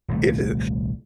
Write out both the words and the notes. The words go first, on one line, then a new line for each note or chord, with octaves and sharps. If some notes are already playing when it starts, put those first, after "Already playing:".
it ju
D#1 C2 A3